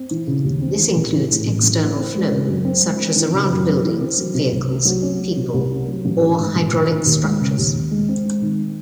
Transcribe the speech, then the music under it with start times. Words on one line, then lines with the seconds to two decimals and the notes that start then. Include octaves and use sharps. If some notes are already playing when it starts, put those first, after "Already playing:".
This includes external flow such as around buildings, vehicles, people, or hydraulic structures.
Already playing: C4
0.11 E3
0.27 C#3
0.44 D#2
0.61 C4
0.78 E3
0.95 A1
1.12 E3
1.29 A2
1.47 A1
1.63 A1
1.80 E3
1.96 C4
2.14 G#3
2.31 C#3
2.48 F#2
2.65 C4
2.82 G#3
2.99 C4
3.16 E3
3.33 C#3
3.50 F#2
3.67 C4
3.84 E3
4.01 C4
4.17 F#3
4.34 C3
4.52 C2
4.69 C4
4.85 F#3
5.02 C#4
5.19 F#3
5.36 C3
5.53 C2
5.71 C#4
5.87 F#3
6.05 A1
6.21 D#3
6.39 G#2
6.56 A1
6.72 A1
6.90 D#3
7.06 D#2
7.23 G#3
7.40 C#3
7.58 D#2
7.74 D#2
7.91 G#3
8.09 C4
8.25 G#3
8.42 D#3